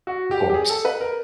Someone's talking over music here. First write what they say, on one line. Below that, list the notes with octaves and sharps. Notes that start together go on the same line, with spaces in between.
Of course.
F#4
G4
G4
G#4
A4
B4
A#4